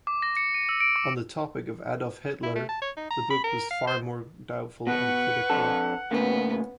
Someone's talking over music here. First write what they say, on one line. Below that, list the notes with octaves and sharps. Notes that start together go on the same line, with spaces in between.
On the topic of Adolf Hitler, the book was far more doubtful and critical.
D6
A#6
C#7
D#7
E6
D7
D6
E4
A3
A5
C#5
D#4
A#5
B5
A#4
F5
C5
B2 B4 F#5 C#6
F2 D4 A4
A2 C#3 A#3 B3